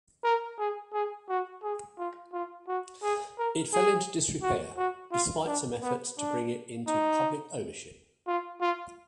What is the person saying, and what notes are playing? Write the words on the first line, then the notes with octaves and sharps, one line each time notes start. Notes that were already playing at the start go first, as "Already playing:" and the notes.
It fell into disrepair, despite some efforts to bring it into public ownership.
A#4
G#4
G#4
F#4
G#4
F4
F4
F#4
G#4
A#4
G#4
F#4
F#4
F4
D4
B3
D4
D#4
F4
F4